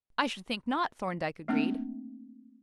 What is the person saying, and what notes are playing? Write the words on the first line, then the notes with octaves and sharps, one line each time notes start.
"I should think not," Thorndyke agreed.
A3 A#3 C4 D4